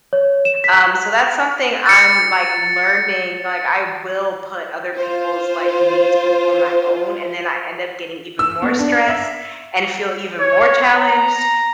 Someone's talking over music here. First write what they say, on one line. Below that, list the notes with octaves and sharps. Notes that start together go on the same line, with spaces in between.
Um, so that's something I'm, like, learning like, I will put other people's, like, needs before my own, and then I end up getting even more stressed, and feel even more challenged,
C#5
E7
B6
A6 C#7
F4 C5
E6
B3
D4
E5
C#5
A#5